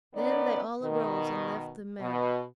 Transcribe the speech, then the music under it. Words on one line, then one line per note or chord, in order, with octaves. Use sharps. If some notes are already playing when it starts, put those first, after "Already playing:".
Then they all arose and left the marah.
D#3 B3 C#4 D#4 D5
B2 D#3
B2